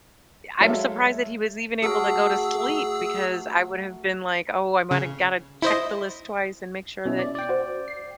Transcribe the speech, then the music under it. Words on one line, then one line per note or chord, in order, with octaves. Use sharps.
I'm surprised that he was even able to go to sleep, because I would have been like, "Oh, I might've gotta check the list twice, and make sure that
F#3 G#3 A4 C#5 E5 F5
A3 F#4 G#4 A#4 E6
C#3
E4 C5 D#5
B2 C#4 E4
D5
D5 G5
F#4 C5
C7